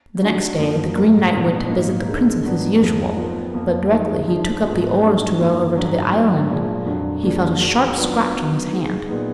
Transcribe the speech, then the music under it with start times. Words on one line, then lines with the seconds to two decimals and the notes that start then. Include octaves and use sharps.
The next day the Green Knight went to visit the princess as usual; but directly he took up the oars to row over to the island he felt a sharp scratch on his hand.
0.21 D#3 F#3 D4 F#4
0.58 F#2 F3 A#3 D#4
0.96 G#2 F#3 A#3
1.32 A#2 F3 B3 D#4
1.69 G#2 D#3 A#3 D#4 A#4
2.06 D3 G#3 D#4 A#4
2.43 G#2 F#3 B3 D4
2.80 F2 F3 A#3 D#4 G#4
3.16 F3 B3 F4 A#4
3.54 F2 F3 A#3
3.91 D#3 G#3 D#4 G#4
4.28 F3 G#3 D4 G#4
4.64 G#2 F3 G#3 B3
5.02 G#2 F#3 D4
5.38 F#2 D#3 A#3 F4 A#4
5.76 G#2 F#3 D4
6.12 G#2 F#3 B3 D4
6.49 A#2 F3 G#3
6.86 F2 D3 F#3 D4
7.23 F2 F3 A#3 D4 G#4
7.60 D#3 G#3 D4 F#4
7.97 F#3 B3 D4 F4 B4
8.34 F#3 B3 D#4
8.71 D#3 G#3 D#4 G#4
9.08 A#2 G#3 B3 D#4